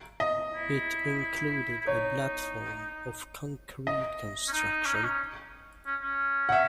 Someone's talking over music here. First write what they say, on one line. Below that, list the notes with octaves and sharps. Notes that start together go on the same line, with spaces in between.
It included a platform of concrete construction.
D#5
E4
E4
D#4 C#5
D#5
C#4
D#4
C#4
D#4
C#4
C#4
C#4
F#5
E5